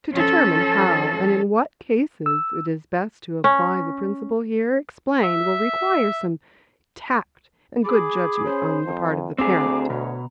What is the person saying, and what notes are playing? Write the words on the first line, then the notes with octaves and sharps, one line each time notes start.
To determine how and in what cases it is best to apply the principle here explained will require some tact and good judgment on the part of the parent.
F3 C#4 A4
E6
C#4
E5
G#4 G#5 B5 D6
C#4 C5
F2
D2 C4 G#4 A#5 D6
B2 C#5